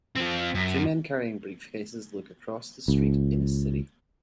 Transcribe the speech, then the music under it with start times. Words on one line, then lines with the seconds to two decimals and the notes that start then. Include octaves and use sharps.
Two men carrying briefcases look across the street in a city.
0.16 F3 C4
0.55 F#2
2.88 C#2